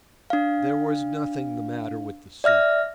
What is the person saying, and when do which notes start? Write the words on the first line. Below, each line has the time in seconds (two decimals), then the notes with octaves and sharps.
There was nothing the matter with the soup.
0.30 D4 F5
2.44 D5 E5 F6 A#6